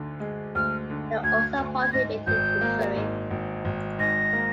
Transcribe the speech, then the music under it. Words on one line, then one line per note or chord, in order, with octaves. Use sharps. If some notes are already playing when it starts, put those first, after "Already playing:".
They also prohibited usury.
Already playing: D2 D3
G#3
D2 F6
D3
D2 G#6
D2
G#6
G#2 A#6
G#1 G6
A#3
G#2
G#1
G#1
G#2 A#6
A#3